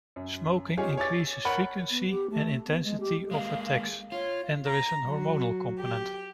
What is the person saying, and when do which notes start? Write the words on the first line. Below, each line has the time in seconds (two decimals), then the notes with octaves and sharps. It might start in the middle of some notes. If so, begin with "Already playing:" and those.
Smoking increases frequency and intensity of attacks, and there is a hormonal component.
0.16 F#2
0.77 C#4 D#4 F4 G4 G#4 C#5
0.97 C#5 G#5 D6 A6
1.45 A#4 C#5 F#5 B5
1.90 B3
2.10 G4
2.31 A3
2.66 B3
2.84 G#3
3.00 G4
3.31 G#3 A#3 F5
4.12 F4 C#5
4.66 A#5
5.04 F#3
5.79 G4